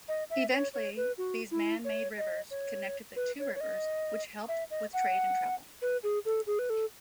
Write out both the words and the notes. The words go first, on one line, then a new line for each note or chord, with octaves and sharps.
Eventually these man-made rivers connected the two rivers which helped with trade and travel.
D#5
E5
C#5
C#5
B4
F#4
E4
C#5
D#5
C#5
B4
C#5
C#5
D#5
E5
D#5
F#5
B4
G#4
A4
G#4
B4
A4